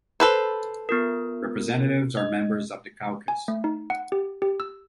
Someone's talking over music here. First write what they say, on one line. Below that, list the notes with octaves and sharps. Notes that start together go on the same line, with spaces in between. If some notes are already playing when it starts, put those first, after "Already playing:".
Representatives are members of the caucus.
A4 B4 C5
B3 F4 A#4
D#5
G#5
A3
D#4
F#5
G4
G4
E6